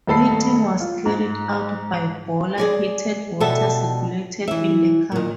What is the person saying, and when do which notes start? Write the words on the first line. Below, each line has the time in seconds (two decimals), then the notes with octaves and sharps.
Heating was carried out by boiler heated water circulated in the car.
0.07 D#1 A3 A4 B5 C7
0.80 F4
1.06 G#2
2.58 G#4 D5 G#5
3.40 B2 G3 A4 E5 A5
4.48 E3 E5
5.12 A#2 D#3